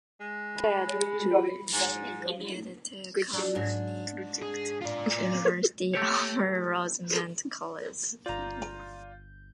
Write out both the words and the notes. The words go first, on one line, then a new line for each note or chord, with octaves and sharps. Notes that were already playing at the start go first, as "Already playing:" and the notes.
He committed to Cabrini University over Rosemont College.
G#3
B5
G#2
D4
G#2 D4
G#4
F4 D5
A3 G4 C#5
G1 F4 D5 A#5 G6